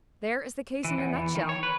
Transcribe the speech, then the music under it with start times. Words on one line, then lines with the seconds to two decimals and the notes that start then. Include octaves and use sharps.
There is the case in a nutshell.
0.84 E3
0.98 E2
1.16 E3
1.36 D#3
1.49 C#5
1.63 B4